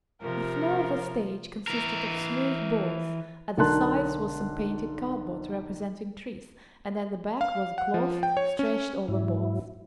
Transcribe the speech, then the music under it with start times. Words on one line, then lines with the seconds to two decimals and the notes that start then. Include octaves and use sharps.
The floor of the stage consisted of smooth boards, at the sides was some painted cardboard representing trees, and at the back was a cloth stretched over boards.
0.22 C3 F3 A#4
1.67 E3 A#4
3.58 B1 D3 A#4 A5 C6 F#6
7.41 F5
7.78 F#5
7.94 F3
8.23 G5
8.37 C#5
8.59 C#4
9.08 G#2 F#3 E4